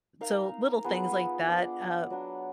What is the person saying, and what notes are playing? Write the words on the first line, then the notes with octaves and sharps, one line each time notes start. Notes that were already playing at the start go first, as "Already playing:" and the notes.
so, little things like that, uh,
D#4 A#4 F5
B3 F4 G#4
D4 G#4 D5
F#3 B3 D4